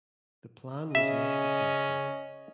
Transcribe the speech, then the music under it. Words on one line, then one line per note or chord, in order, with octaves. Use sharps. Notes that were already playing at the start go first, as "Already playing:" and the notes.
The plan was not successful.
C#3 C#4 D#5 E5